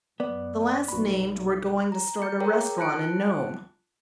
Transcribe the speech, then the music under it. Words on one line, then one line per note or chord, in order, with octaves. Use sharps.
The last named were going to start a restaurant in Nome.
F#2 B3 D5
B1 F#4 B5
A#5
G6 C#7
G#4 A#4 C#5 G5 A#5
F4 A5 F#6 C#7 D7